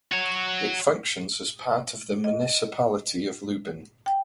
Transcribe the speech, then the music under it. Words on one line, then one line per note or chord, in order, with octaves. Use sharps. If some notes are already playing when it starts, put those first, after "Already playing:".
It functions as part of the Municipality of Lubin.
F#4 C#5
D#5
G5